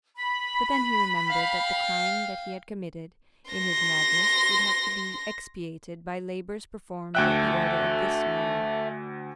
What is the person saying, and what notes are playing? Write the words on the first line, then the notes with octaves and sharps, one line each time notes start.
But then he remembered that the crime that he had committed in his madness would have to be expiated by labors performed at the order of this man.
B5
F5 G5
C6 A#6
D2 A4 E5 G5 F#6